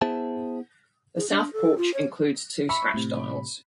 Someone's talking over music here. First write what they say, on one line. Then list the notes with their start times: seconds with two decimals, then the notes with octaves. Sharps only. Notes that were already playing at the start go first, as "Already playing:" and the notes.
The south porch includes two scratch dials.
0.02 B3 E4 G#4 C5 E5 A5
1.17 G#4
1.30 D4
1.53 A4
1.77 F4
1.94 C#5
2.69 E5 B5 C#6
2.94 A2 C3